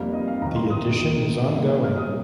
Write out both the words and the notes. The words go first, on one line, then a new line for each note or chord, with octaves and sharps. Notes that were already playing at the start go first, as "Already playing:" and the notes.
The edition is ongoing.
Already playing: F1 F2 C3 G3 A#3 F5
D#5
F5
F1 D#2 D#3 A#5
C6
D#6
F1 D#2 D#3 A#3
C2 C3 G3 A#3
F6
D#6